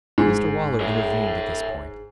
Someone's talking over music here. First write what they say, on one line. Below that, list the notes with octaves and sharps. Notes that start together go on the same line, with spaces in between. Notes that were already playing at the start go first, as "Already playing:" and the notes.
Mr Waller intervened at this point.
G1 G#2 G#4 G#5
C#5 E5